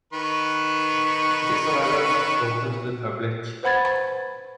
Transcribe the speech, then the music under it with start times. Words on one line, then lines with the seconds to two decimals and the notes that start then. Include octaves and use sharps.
It is however not open to the public.
0.13 D#3 B4 C#6
3.63 B4 C5 F#5 B5 G#6 A6